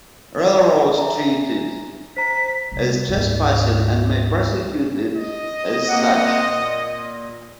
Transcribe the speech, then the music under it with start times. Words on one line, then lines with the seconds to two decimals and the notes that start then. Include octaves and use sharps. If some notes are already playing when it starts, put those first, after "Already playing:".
Railroads treat it as trespassing and may prosecute it as such.
0.98 E5 G#5 A#5
2.17 C5 A#5 B6
2.72 C2
3.09 D2 G#2
5.16 D#5
5.88 A#3 C4 F#5
6.47 A#2